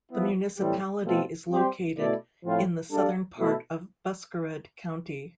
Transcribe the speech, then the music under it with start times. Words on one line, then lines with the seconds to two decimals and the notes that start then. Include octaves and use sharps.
The municipality is located in the southern part of Buskerud county.
0.11 F3 B3 E4
0.58 A2 E3 G3 C4 G4
1.04 B2 A3 C4 F4 A4
1.51 G3 C4 G4 C5
1.97 B2 A3 E4 A4 D5
2.44 A2 F3 C4 F4
2.90 G3 D4 A4 D5 F5
3.37 B2 A3 E4 A4